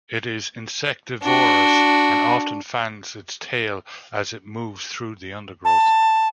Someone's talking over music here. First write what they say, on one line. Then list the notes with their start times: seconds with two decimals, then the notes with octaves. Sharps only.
It is insectivorous, and often fans its tail as it moves through the undergrowth.
1.23 D4 F#4
5.65 A5